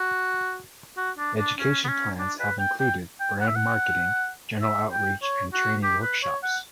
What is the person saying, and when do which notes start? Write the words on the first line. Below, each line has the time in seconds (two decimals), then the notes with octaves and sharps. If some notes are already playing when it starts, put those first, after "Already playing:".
Education plans have included brand marketing, general outreach and training workshops.
Already playing: F#4
0.97 F#4
1.18 D4
1.38 D4
1.58 C#4
1.84 B3
1.88 C#4
2.19 D4
2.40 B4
2.59 G5
2.80 G5
3.20 G5
3.40 F#5
3.48 E5
3.56 F#5
4.62 E5
4.92 G5
5.22 C#5
5.53 F#4
5.83 G4
6.02 B4
6.23 C#5
6.43 F#5